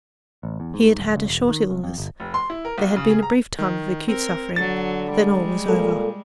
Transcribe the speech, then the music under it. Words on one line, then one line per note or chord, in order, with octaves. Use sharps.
He had had a short illness, there had been a brief time of acute suffering, then all was over.
A1
E2
G#2
D1
C#2
E1
D#3
C2
F2
G1
F1
C6
E4
A#4
B1
C#3
G#4
A#5
D#3
C4 A#4
D3 F#3 A6
G3 G#3
A#2 A4